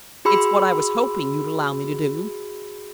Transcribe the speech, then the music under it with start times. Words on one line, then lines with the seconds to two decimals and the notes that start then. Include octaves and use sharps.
It's what I was hoping you'd allow me to do.
0.25 F#4 G#4 B5 C6 E6